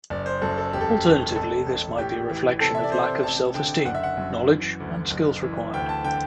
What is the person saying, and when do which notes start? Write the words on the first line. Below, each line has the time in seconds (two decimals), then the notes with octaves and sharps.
Alternatively this might be a reflection of lack of self-esteem, knowledge and skills required.
0.10 F#1 D5
0.26 C5
0.42 F#2 A4
0.58 A4
0.73 E1 G4
0.81 A4
0.89 G4
1.05 E1
1.36 A1 A4
1.66 A1
1.98 A2 G4
2.29 E3
2.61 C3 A4
2.75 E5
2.83 D5
2.92 C3 C5
3.23 A1 A5
3.54 D3 G5
3.85 F#1 F#5
3.95 E5
4.03 F#5
4.17 F#2
4.48 E3
4.80 D2
5.11 F#1
5.42 E3
5.73 D2 G5
5.89 A5
6.04 D3 G5